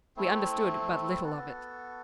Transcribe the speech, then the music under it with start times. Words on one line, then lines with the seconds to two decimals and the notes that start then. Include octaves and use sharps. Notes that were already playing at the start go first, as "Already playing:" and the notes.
We understood but little of it.
0.16 A3 C4 E4
1.21 B3 F#4 A4